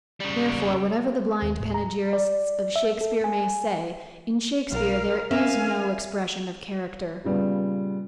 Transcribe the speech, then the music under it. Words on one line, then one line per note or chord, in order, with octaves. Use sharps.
Therefore, whatever the blind panegyrists of Shakespeare may say, in Shakespeare there is no expression of character.
C#3 G3
D#2
A2
A#5
D5
E5
A4
G#5
B1 A#4 F5
C#4 A#4 E5 F5 G#5
A#2 C#3 G3 B3